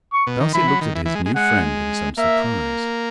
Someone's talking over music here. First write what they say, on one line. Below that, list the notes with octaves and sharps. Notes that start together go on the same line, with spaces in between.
Darcy looked at his new friend in some surprise.
C#6
B2
D#3
E3 B5
F#3
D#3
E3
E3
G#3
G#3
G#3 F#5
A#3 E5